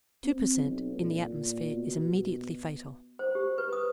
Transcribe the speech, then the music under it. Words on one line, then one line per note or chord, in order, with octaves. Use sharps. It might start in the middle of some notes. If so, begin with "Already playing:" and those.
Two per cent. in the atmosphere is immediately fatal.
C4
B1
A#2
B2
C5
G4
B4
D#6